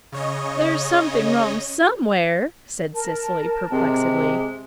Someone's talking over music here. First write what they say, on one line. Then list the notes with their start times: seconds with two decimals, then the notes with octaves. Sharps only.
"There's something wrong somewhere," said Cecily perplexedly.
0.12 C#3 C#5 D#5
2.94 A#4 A5
3.72 C3 G#3 C4